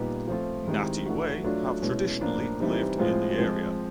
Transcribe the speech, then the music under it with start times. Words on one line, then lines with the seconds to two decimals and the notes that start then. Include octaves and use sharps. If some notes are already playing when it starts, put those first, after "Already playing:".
Ngati Wai have traditionally lived in the area.
Already playing: A#2 G3 B3 D#4 G4
0.28 F3 A3 C4 F4
0.67 D#3 G#3 C4 E4 G4
1.06 E3 A3 D4 F#4
1.44 F#3 A3 D4 F4
1.82 B2 G#3 C#4 E4
2.21 A2 F3 A#3 D4
2.60 E3 G3 C4 D#4 G4
2.98 A2 F3 G#3 C4 F4
3.37 F3 G#3 C4